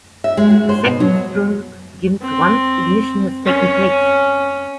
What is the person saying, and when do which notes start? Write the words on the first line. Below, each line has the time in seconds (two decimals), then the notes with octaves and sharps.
The second stroke begins once ignition has taken place.
0.24 E5
0.37 G#3
0.50 F#4
0.69 C5
0.86 B2
1.00 F#3
2.22 C4
3.46 C#4